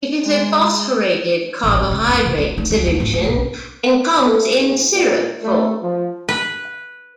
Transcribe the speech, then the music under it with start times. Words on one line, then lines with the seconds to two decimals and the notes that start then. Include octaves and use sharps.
It is a phosphorated carbohydrate solution, and comes in syrup form.
0.24 G#3
1.64 A1
1.76 G#2
1.91 C#3
2.08 F2
2.26 C#3
2.38 D4
2.58 D#4
2.71 C#2
2.87 D#2
3.00 G#1
3.13 D2
3.25 B1
4.24 A3
4.56 G#2
4.94 A#2
5.43 A3
5.83 F3
6.29 B4